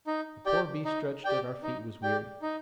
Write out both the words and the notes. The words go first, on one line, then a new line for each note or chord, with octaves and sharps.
The poor beast stretched at our feet was weary.
D#4
G4 D5 G5
D#4
G4 D5 G5
D#4
G4 D5 G5
D#4